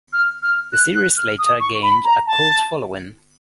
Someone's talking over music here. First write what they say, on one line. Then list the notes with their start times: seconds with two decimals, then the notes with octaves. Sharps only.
The series later gained a cult following.
0.13 F6
0.43 F6
0.72 F#6
0.95 F#6
1.17 F6
1.39 D#6
1.60 C#6
1.83 B5
2.04 A#5
2.27 A5